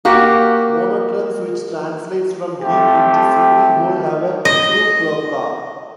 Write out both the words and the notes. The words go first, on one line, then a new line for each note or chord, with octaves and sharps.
Monotremes, which translates from Greek into "single hole", have a true cloaca.
A#3 F#4 G4
F2 A3 G4
D#5